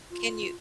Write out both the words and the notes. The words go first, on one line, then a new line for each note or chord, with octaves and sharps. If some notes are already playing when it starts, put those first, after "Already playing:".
Can you
F4